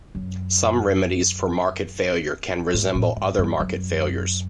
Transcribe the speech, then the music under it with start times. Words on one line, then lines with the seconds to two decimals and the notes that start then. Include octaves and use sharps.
Some remedies for market failure can resemble other market failures.
0.15 F#2
2.74 G#2
2.95 A2
3.16 G#2
3.38 G2
3.60 F#2